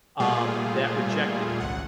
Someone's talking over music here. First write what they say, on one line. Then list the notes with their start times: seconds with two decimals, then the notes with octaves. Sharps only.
um, that rejected him
0.20 A#2 G3 A3 F4 G#4
1.60 G#1 C#2 F#5